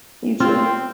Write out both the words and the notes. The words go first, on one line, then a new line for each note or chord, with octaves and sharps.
You too.
C4 F4